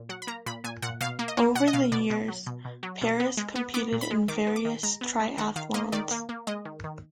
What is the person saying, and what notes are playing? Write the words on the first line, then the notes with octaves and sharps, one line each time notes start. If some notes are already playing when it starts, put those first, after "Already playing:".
Over the years, Paris competed in various triathlons.
Already playing: A#2
F#3 F#5
B5
A#3 A#5
A#2 B5
A#2 G#5
A#2 F#5
B2 F5
A#3
D#5
A#3
B2 F#5
D#5
B2 F5
B2 D5
B2
F#3
B2
B2
F#3
B2
B3
G#3
B3
B3 D6
A#2
B5
G#3
D#3 D6
B3
D6
D#3
G#3 A#5
B3
G#3
D#3 F#5
D#3 F5
A#3 D#5
D#3 D5
A#3
A#3
G#3 D#5
D#3
D#3